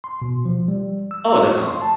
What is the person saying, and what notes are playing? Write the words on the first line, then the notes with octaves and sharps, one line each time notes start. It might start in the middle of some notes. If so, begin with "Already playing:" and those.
Oh, definitely.
C6
B2
F3
G3
E6
F#4
C#6
C6
A5